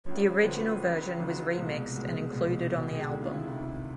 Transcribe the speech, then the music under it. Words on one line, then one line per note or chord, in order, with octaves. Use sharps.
The original version was remixed and included on the album.
C#2 C#3 F3 C#5
D5
C#5
C5
C#2 C#3 F3 B4
F#4
F4
C#2 C#3 F3
C#2 C#3 F3 F4
F#4
F4
C2 B2 G#3
C2 B2 G#3 F#4
C2 B2 G#3
C2 B2 G#3 F#4
G4
G#4
G4
D2 C3 D#3 F#4
F4
E4
D2 C3 D#3 E4